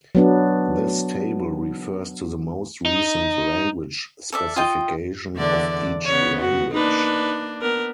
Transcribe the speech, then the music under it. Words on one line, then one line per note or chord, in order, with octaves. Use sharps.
This table refers to the most recent language specification of each language.
F#3 B3 D4
D#4
A4 D5 E5
F4 D#5 G5
E2 D3 D5
C#3 B3 C#5
F#4
A#3 D4 D#4 B4
B3 A#4